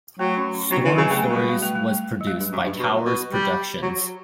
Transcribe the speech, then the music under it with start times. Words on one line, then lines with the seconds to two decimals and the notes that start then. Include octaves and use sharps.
"Storm Stories" was produced by Towers Productions.
0.19 F#3 A3
0.37 C#4
0.54 C#4
0.71 F#3 B3 D4
0.85 E3
0.97 C#3 F#3
1.10 C#3 A3
1.23 B2 G3
1.35 G3
1.50 G3
1.63 A3
1.75 G3
1.88 A3
2.21 F#3
2.27 G3
2.40 G2
2.52 F#2
2.65 G2
2.79 B2
3.05 B2
3.31 G3
3.82 F#3